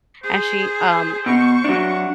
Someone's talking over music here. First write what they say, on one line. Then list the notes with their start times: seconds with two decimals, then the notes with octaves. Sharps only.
and she, um,
0.23 G#4 C5
1.26 B2 C#6
1.65 F#3 D4 F#5